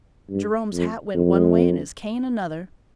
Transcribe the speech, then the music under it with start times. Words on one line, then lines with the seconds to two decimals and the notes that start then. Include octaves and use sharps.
Jerome's hat went one way and his cane another.
0.30 G2
0.73 F2
1.15 F2